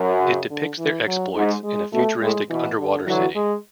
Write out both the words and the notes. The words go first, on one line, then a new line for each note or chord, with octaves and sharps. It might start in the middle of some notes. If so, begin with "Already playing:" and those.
It depicts their exploits in a futuristic underwater city.
Already playing: F#2
C#3
D3
E3
F#3
G#2 G#3
G#3
B2 A3
A2 G#3
B2 E3
D3
D3 E3 F#3
G#3